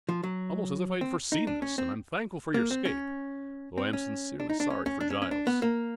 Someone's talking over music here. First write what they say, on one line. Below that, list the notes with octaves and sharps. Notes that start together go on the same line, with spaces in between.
It is almost as if I had foreseen this; and I am thankful for your escape, though I am sincerely sorry for Giles.
F3
F#3
C4
D#4
D4
C#4
C4
A#3
C4
C#4
C4
C#4
D4
D#4
D4
C#4
C#4
D4
C#4
C#4
D4
B3
A#3